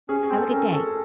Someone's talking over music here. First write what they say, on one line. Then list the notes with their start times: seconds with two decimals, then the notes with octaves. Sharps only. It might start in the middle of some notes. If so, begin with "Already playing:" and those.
have a good day.
0.09 C#4 G#4
0.23 G#4
0.30 C4
0.38 A4
0.51 C#4 A#4
0.73 A4